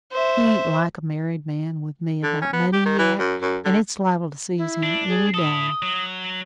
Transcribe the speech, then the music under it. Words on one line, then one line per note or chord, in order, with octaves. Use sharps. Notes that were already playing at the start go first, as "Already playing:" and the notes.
He ain't like a married man with me about money yet, an' it's liable to seize him any day.
C5 E5
D3
C#4
B3
G4
D#3
E3
F#2
F#2
D3
E4
D4
G#4
E4 A4 D#6
F#3